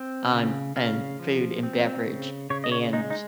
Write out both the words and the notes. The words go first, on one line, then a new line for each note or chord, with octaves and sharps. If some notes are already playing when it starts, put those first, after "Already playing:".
on on food and beverage, and
Already playing: C4
C#3
C#3 F5
F3
C4
C#3
C#3 C#5
D#5
C#5
G#3 D#4
D#4